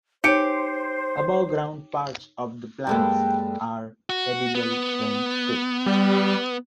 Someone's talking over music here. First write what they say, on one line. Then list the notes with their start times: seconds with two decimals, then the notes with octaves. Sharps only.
The above-ground parts of the plant are edible when cooked.
0.24 D#4 G4 C5 C#5 C#7 D7
2.87 F#2 G3 G#3 A#3 A4 B4 G5
4.10 F#4
4.55 B3
5.86 G3